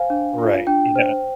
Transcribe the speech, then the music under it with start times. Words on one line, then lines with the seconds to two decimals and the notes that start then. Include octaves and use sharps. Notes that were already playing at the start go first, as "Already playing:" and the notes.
Right. Yeah.
Already playing: C5 F5 G#5
0.10 D4
0.38 F4
0.67 D4 G5
0.96 C5